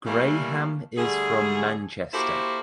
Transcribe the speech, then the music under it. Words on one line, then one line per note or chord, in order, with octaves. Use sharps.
Graham is from Manchester.
E3 G3 A3 A#3
D3 G3 A3 G#4
A#3 E4 F#4 G4 A4 C5